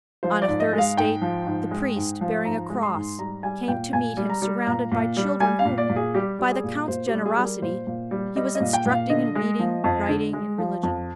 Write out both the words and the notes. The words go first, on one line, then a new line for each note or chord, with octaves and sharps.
On a third estate the priest, bearing a cross, came to meet him surrounded by children whom, by the count's generosity, he was instructing in reading, writing, and religion.
F3 C5
D5
G#2
D#5
G#3
F5
G#2 G5
F3
G#2
G#3
G#2
F3
G#2 A#5
G#3
C6
G#2
G3 A#5
G3 G#5
A#2 G5
A#2 G#5
G3
A#5
G3
A#2 A#5
A#2
G3
G3 G#5
F5
A#2
D5
A#2
G#4
G3 G4
G3
G#4
A#2
A#2 C5
G4
G3
G#4
G3
A#4
A#2 C5
A#2
G3
G3 D#5
D#5
A#2
G5
A#2
F5
D3 D#5
G#3
F3
F2
D3
G#3
F3
F2